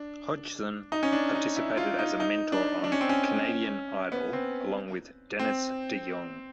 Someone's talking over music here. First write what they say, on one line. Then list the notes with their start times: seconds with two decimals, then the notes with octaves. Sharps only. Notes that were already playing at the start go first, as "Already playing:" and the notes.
Hodgson participated as a mentor on "Canadian Idol" along with Dennis DeYoung.
Already playing: D4
0.92 D#4
1.03 C#4
1.13 D4
1.35 D#4
1.56 E4
1.77 F4
1.99 D#4
2.20 D#4
2.52 D4
2.84 D4
2.92 C#4
3.01 C4
3.09 C#4
4.12 B3
4.33 C4
5.39 C4